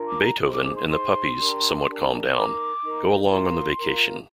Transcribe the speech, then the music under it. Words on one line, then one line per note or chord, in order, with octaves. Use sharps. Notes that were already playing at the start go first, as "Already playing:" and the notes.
Beethoven and the puppies, somewhat calmed down, go along on the vacation.
Already playing: D4 F4 A#4
D6
G#5
A#5
D#4 G#4 C5 D#6
D6
D6
C6
D#4 G#4 C5 C6
D4 G4 A#4
D4 G4 A#4
D#4 A#4 D6
D#4 A#4
F4 A#4 C6
F4 A#4